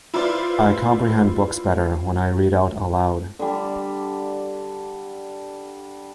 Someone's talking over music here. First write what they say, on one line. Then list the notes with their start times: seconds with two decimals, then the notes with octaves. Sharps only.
I comprehend books better when I read out aloud.
0.14 E4 F4 B4 C5 D5 F5
3.39 D3 G3